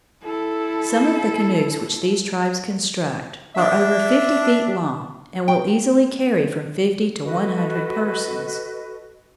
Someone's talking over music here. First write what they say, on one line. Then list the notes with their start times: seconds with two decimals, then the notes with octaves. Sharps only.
Some of the canoes which these tribes construct are over fifty feet long and will easily carry from fifty to one hundred persons.
0.23 E4 A4
3.56 D4 E5
5.48 G5
7.23 F#4 A4 B4 D#5